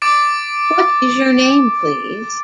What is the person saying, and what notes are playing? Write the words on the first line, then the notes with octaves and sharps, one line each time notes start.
What is your name, please?
D6 A6 D7